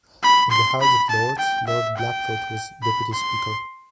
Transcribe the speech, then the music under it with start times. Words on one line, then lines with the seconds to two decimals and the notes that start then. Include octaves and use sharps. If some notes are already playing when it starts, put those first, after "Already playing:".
In the House of Lords, Lord Blackford was Deputy Speaker.
0.23 B5
0.51 C6
0.81 B5
1.10 A5
1.38 G5
1.67 E5
1.97 G5
2.83 B5
3.13 C6